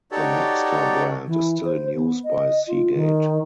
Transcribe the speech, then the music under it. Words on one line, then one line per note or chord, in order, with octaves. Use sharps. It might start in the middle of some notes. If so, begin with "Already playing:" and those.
The Maxtor brand is still in use by Seagate.
D#4 F#4 G4 A4 C#5 D5
E3
C5
B3
D#5
F4
D#3